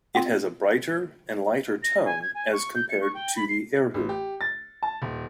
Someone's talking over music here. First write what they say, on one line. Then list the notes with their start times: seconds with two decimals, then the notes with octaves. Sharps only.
It has a brighter and lighter tone as compared to the "erhu".
0.15 B3 C4 F4
1.83 A#6
2.05 G#5
2.22 G#6
2.35 G#5
2.52 C#6
2.75 G6
2.90 C#7
3.02 C#6
3.15 G5
3.36 B5
3.49 C7
3.94 A1
4.09 G4
4.41 A6
4.83 A5
5.02 D#1